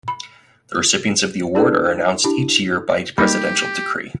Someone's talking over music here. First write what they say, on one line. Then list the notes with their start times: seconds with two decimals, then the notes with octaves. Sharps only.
The recipients of the award are announced each year by presidential decree.
0.08 B5
1.55 D4 E4 G#4 A4 B4 D5
2.24 D4 E4 G4 B5
3.18 G3 A#3 D#4 G4